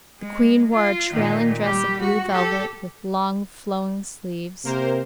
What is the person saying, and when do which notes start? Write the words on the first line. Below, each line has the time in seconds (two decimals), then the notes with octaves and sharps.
The queen wore a trailing dress of blue velvet with long flowing sleeves.
0.20 G#3
0.72 F4
1.13 A#2 D#3
1.63 G3 G4
2.00 F#4
2.31 G4 A4
4.65 C3 A#3 A#4 C5